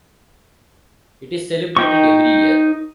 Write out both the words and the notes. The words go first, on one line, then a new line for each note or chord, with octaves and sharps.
It is celebrated every year.
D#4 G5 C#6